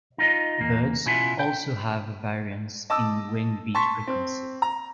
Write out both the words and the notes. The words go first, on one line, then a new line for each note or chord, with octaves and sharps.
Birds also have a variance in wing beat frequency.
D#4 F4 D#5
E2 A#3
B2 C#4 E4 F4 E5 F#5
G5
D#5 A5 D6 E6
A5 C6 C#6 B6
C4
A#5